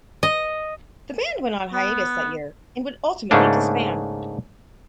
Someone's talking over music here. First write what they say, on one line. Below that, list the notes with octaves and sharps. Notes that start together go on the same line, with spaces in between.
The band went on hiatus that year, and would ultimately disband.
D#5
B3
G#2 C#3 A3 A#3 D4